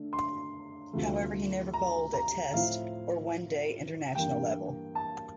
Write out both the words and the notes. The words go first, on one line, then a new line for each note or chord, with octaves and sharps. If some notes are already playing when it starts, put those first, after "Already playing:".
However he never bowled at Test or One Day International level.
Already playing: D3 A3 D4
C6
D2 C3 F3 A3
A#5
A#5
A2 F3 C4 E4 F5
G2 E3 A#3 G5
A5